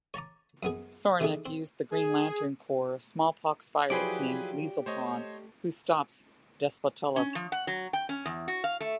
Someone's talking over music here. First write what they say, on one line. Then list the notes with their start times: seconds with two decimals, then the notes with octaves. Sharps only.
Soranik used the Green Lantern Corps smallpox virus named Leezle Pon, who stops Despotellis.
0.14 C#5 A5 A#5 D6
0.63 F#2 B3 G#4
1.20 C3 D#3 E3 A3 D4 G#4
1.46 C4
1.92 G#4
3.90 F3 F#3 E4 G4 G#4 B4 D5
4.86 A3 C5 C#5 D#5
7.16 C#4
7.35 F3
7.52 F#5
7.67 F#3
7.93 G5
8.09 C#4
8.25 E2
8.48 F#4
8.64 F5
8.81 A3